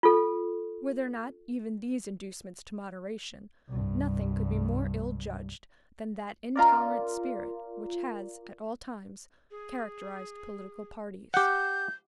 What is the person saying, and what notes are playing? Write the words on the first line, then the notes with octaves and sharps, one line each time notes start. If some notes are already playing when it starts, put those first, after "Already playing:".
Were there not even these inducements to moderation, nothing could be more ill-judged than that intolerant spirit which has, at all times, characterized political parties.
F4 A4
C2 G2
C#4 F4 A#4 D5 D#5 A#5
G#4
G4 F#5 G6